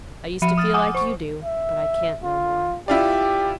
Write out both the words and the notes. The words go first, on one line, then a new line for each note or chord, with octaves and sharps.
I used to feel like you do, but I can't no more.
F3 E5 B5 C#7 D#7
D#6 F6 A6
F#5 G#5 D6 D#6
C5 C#6
E5
F4
E4 F4 G4 D5